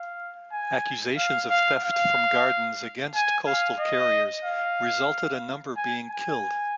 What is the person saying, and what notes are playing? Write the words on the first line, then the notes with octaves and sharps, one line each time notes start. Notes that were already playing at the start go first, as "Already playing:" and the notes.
Accusations of theft from gardens against coastal carriers resulted a number being killed.
Already playing: F5
G#5
F5
F5
F5
G#5
F5
D#5
F5
G#5
G#5